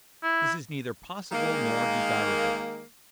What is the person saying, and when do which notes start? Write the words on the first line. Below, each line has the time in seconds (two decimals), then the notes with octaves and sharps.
This is neither possible nor desirable.
0.23 E4
1.31 D#3 G#3 A#3